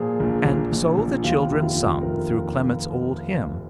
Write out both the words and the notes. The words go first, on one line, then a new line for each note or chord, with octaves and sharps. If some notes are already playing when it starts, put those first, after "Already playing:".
And so the children sung through Clement's old hymn.
Already playing: A#2 F3 G#4
A#1
A#1
A#1
A#1
D#2 F4
F1
F4
F1
F1 A#4